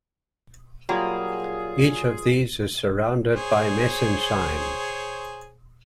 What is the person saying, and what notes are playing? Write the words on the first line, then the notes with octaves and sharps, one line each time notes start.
Each of these is surrounded by mesenchyme.
F#3 G3 A#3 F4 G#4
G#4 C5 C#5